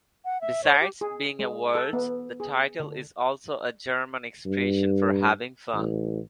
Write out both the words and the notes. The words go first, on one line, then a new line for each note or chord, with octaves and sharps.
Besides being a waltz, the title is also a German expression for having fun.
F#5
E5
C#5
G4
G#4
G#3
A4
B3
G#4
D3
G2
A1